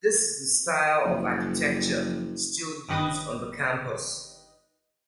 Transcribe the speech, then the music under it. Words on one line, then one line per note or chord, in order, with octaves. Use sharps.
This is the style of architecture still used on the campus.
F#1 F3
G1 D#3 G4 B4 D#5 D#6